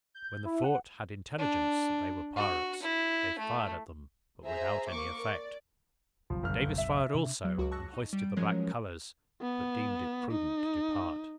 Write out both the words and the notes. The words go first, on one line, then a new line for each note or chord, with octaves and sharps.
When the fort had intelligence that they were pirates, they fired at them, but without any effect; Davis fired also, and hoisted the black colors, but deemed it prudent to depart.
G6
E4
F#5
D4
F#4
E4
A3
G#4 C5 E5 A#5
A#3 C#6 D6
D5
F#1 B1 F3
G1 F6
E5
C3 D4
F#3
C#2 F#4 C#5 D6
A5 C#6 E6 F#6 A#6
D#4
G3 D7
F3 F#3 G#3 C#4 A#4 C#5
B3
D#4